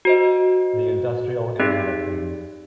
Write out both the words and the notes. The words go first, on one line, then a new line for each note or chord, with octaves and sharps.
The industrial internet of things.
F#4 C5 D#5
C4 D#4 G4 G#4 D5 B6